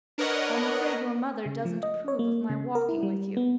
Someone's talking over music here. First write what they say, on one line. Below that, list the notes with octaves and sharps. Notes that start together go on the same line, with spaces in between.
"I'm afraid your mother doesn't approve of my walking with you."
D4 A#4 B4 C#5 D#5 F#5
C#3
F3
D#5
C#5
A#3
C#3
A#4
E4
G3
B3